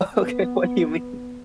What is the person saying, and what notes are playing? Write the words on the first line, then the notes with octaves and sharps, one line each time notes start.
Okay, what do you mean?
B3